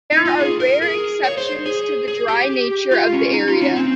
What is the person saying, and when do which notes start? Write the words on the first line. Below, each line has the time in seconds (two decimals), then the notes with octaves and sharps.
There are rare exceptions to the dry nature of the area.
0.12 D#4
0.26 F4
0.40 G#4
0.60 A#4
0.82 G#4
1.23 C#5
1.38 C5
1.66 G#4
2.08 G#4
2.28 G4
2.91 F4
3.13 C#4
3.33 D#4
3.48 F4
3.62 C#4
3.76 C4